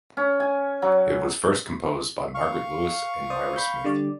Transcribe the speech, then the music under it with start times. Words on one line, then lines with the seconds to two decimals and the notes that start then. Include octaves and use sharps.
It was first composed by Margaret Lewis and Myra Smith.
0.17 C#4
0.40 G#5
0.82 F#3
2.35 F5 C#6
3.30 C5 D5 D#6
3.56 B5 G6
3.84 D3 G3 D5